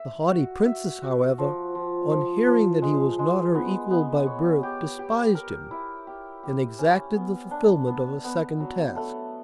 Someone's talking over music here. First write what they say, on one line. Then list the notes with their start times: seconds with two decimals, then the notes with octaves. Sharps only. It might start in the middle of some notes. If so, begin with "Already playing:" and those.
The haughty Princess, however, on hearing that he was not her equal by birth despised him, and exacted the fulfilment of a second task.
Already playing: E5
0.30 F#4
0.65 E5
1.02 F#4
1.38 F3
1.75 F3
2.11 F3
2.47 F3
2.82 G#3
3.19 G#3
3.55 B3
3.91 B3
4.27 C#5
4.63 G4
4.99 G4
5.35 A#4
5.71 E4
6.07 G4
6.43 G4
6.79 C#4
7.15 B3
7.51 D4
7.87 B3
8.24 B3
8.60 F#3
8.96 A3